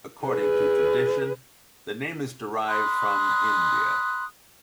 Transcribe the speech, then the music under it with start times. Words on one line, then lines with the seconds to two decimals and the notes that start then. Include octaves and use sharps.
According to tradition, the name is derived from India.
0.25 G#4 B4
2.67 B5 C6 D#6 F#6